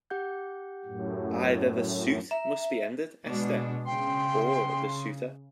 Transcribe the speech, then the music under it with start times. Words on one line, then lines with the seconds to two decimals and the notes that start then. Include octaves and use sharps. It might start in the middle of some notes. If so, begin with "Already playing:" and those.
Either the suit must be ended, Esther - or the suitor.
0.10 G4 F#5 G6
0.85 F#2 A2
2.31 E5 A#5
3.26 B2 G#3 D4
3.86 C#3 G5 C6